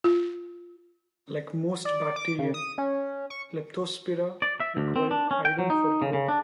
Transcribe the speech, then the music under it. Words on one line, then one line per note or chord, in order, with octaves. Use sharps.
Like most bacteria, "Leptospira" require iron for growth.
F4
D5
D6
C#3
D#6
C#4
C#6
D5
E5
D2
C4
D4
C#4
G5
F#3
D#4
C#3
C#3
D4